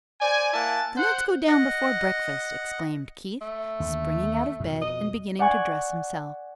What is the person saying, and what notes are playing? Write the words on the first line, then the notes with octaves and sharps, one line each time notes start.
"Then let's go down before breakfast," exclaimed Keith, springing out of bed and beginning to dress himself.
C5 D5 G#5
A#3 E4 F#5 G#5 A5
C5 F#5
D#5 F#5
A3
D#2 D3
F2 B2
D#5
D5 F#5 G#5 C#6 G#6